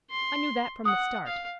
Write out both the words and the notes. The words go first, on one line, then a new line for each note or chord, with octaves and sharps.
I knew that from the start.
C6
F#5 D#6
F5